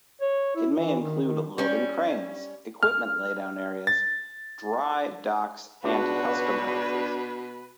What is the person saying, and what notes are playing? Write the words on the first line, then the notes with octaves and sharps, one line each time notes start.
It may include loading cranes, equipment laydown areas, dry docks and custom houses.
C#5
E4
E3
D#3
D#3
G3 C#4
F6
A6
C#2 B2 D4 F#4 B4